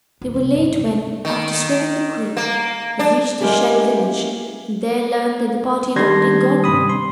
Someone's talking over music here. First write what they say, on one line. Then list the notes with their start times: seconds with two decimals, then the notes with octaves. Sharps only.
They were late when, after swimming the creek, they reached the Shell village and there learned that the party had already gone.
0.21 D#1 D#2
0.34 C2 B3
0.54 G1 F#2
0.76 B1 G#2
1.25 D#3
2.37 A#3
2.99 D4
3.40 G#3 A#3 C#4 E4 G4 G#4
5.96 D#3 G3 D4 C6 G#6 A#6
6.64 G2 C3 B5 D#6
6.89 C6